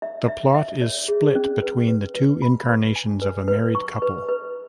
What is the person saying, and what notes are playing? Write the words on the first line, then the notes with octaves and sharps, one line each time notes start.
The plot is split between the two incarnations of a married couple.
E5
E5
E5
C#5
G#4
C#4
B4
B4
B4
B5
B4
G#5
B4
B4
C#6
B4
B4